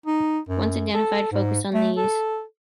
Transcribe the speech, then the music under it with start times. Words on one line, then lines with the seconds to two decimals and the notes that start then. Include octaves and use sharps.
Once identified focus on these.
0.06 D#4
0.49 F#2
0.94 A4
1.32 G#2
1.74 A3
1.97 A4